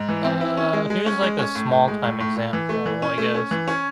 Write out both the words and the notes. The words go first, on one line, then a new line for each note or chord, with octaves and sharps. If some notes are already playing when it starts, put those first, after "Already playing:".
uh, here's like a small time example, I guess.
Already playing: G#2
E3
C4
E4
C#4
G#3
G#3
C#4
G#3
C#4
A2
A2
G#3
A2
A2
A2
E3
A3
E3
C#4
A3
C#4
E3
C#4